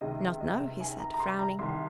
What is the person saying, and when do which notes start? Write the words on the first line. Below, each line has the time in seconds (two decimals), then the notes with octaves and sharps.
"Not know," he said, frowning.
0.01 C#2 C3 D#3 D#5
0.41 D#5
0.80 G#5
1.00 A#5
1.14 A#5
1.20 C6
1.39 A#5
1.59 C2 C3 D#3 C6